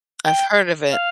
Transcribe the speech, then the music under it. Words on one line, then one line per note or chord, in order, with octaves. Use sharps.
I've heard of it.
G5
F5